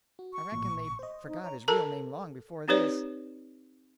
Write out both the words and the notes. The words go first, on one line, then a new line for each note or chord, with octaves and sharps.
I reckon they've forgot his real name long before this.
F#4
C#6
A1 A#2
C5 D#5
D#4
C#5 A#5
A4 A#4 A5 A#5
C4 D#4 G4 B4 C#5 D5